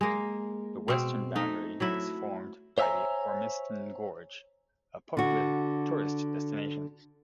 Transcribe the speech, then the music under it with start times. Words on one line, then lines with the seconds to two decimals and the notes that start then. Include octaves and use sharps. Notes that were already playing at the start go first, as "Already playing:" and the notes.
The western boundary is formed by the Ormiston Gorge, a popular tourist destination.
0.01 G#3 A#3
0.88 B2 C4
1.36 A3 D#4
1.80 F#3 A3 E4
2.78 C5 C#5 E5 F5 G#5 A#5
5.17 D3 F#4